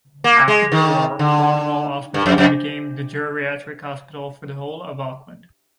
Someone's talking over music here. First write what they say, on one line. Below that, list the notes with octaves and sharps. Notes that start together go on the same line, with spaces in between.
After the war Cornwall Hospital became the geriatric hospital for the whole of Auckland.
A#3
G#3
D#3
D3
G2
F2
F2